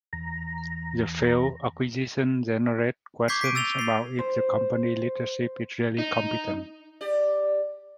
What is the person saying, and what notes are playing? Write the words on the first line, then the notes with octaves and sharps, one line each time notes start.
The failed acquisition generate questions about if the company leadership is really competent.
E2 A#5
C#6 D6 G6 G#6 B6 C7
B6 C7 D7 D#7
E6 A6 F7 G7
A6 C7
C5
D#4
G4 D5